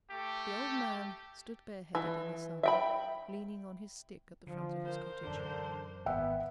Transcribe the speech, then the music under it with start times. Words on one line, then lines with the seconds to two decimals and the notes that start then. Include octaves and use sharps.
The old man stood bareheaded in the sun, leaning on his stick at the front of his cottage.
0.10 A3 G4
1.95 E3
2.63 E5 G5 B5
4.47 D3 F3
4.85 A#4 C5
5.23 F#2 D3 E3 D4
6.06 G#1 B3 E5 F#5 G5